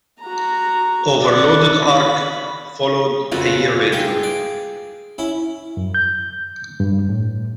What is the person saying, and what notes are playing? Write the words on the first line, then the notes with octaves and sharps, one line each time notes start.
"Overloaded Ark" followed a year later.
F#4 A#5
D5 F#5
B5
F2 C#3 A3 F4 F#4 B4
G#4 A4 F5 G5 A5
D5
C#4 E4
F#2
G6
G2
A2